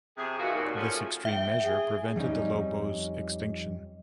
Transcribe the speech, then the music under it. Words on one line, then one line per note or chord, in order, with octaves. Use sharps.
This extreme measure prevented the lobos' extinction.
F2 C3 G#4
D#3 E3 F4 F#4
D#2 A#2
C#3 F3 F#3 A3 C#4
E5 G5
G#4
F2 G3 C#4 D#4